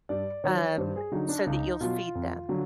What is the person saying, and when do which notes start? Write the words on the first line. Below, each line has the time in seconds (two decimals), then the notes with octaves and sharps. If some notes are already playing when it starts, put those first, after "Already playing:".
um, so that you'll feed them.
0.09 G2 D5
0.44 D#3 F#3 C#5
0.78 G2 C5
0.96 G#4
1.12 D3 F#3 D#4
1.29 D4
1.46 C#2 D#4
1.80 B2 F#3 F4
2.15 F2
2.49 D3 F#3